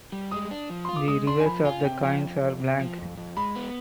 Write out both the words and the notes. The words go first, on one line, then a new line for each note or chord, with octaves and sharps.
The reverse of the coins are blank.
G3
G#3 D#6
D4
F3
F4 C6
D6
G#3 D#6
D4 C6
G#5
F3 B5
F4 G#5
C3 G5
F3
F2
F2
C3
F3
F2
F2
G#3 B5
B3